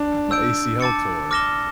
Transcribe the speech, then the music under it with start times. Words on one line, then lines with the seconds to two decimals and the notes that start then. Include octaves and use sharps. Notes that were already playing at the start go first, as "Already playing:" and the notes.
my ACL tore,"
Already playing: D4
0.31 E6 G6 D7
0.81 A5 D6 A6 C#7
1.31 D6 F6 A#6 E7 G7